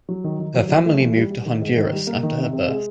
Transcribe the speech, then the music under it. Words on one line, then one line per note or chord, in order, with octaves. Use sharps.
Her family moved to Honduras after her birth.
F#3
D#3
D#3
F#3
F#3
A3
E3
G3
G3
D#3
G#2
D#3
G3
A#3
D#3
C3
C3
G#3